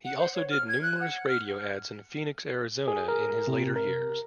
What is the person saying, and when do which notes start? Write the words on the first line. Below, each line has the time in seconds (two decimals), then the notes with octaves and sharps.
He also did numerous radio ads in Phoenix, Arizona in his later years.
0.05 F#5
0.19 C5
0.34 C#5
0.51 F6
0.68 G#6
0.82 F#6
1.01 F#5
1.28 F6
2.88 G#4
3.08 A#4
3.47 C3
3.76 A#4